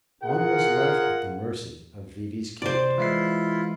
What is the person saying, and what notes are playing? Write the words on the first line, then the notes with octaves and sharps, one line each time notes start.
One was left at the mercy of V.V.'s character....
F4 G#4 A#4 F#5
C3 C5 D5
E3 G#3 E4 F4 C7